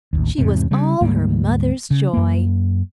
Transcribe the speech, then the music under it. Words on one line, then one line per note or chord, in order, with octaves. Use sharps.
She was all her mother's joy.
A1 D#2
E2 G#2 C3
C#3 G3
D2 G#2 G3 A#3
C#3
F#2 A#3